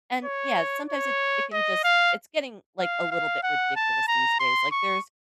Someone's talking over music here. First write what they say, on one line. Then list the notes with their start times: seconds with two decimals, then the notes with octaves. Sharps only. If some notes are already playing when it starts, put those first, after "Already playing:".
and, yeah, sometimes it it can just it's getting, like, a little bit ridiculous these days, like, there's
0.24 C#5
0.88 C#5
1.53 D#5
1.84 F5
2.80 F5
3.11 F5
3.43 F#5
3.76 A5
4.08 A#5
4.40 C6
4.72 C#6